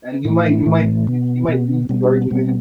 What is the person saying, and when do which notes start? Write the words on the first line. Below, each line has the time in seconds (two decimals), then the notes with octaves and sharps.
and you might you might y you might leave the argument
0.25 A2 E3 A3 E4
0.66 A2 E3 A3
1.07 B2 B3
1.48 B2 B3
1.89 B2 G3 B3 C4
2.03 D4
2.17 C4
2.30 B2 G3 B3 C4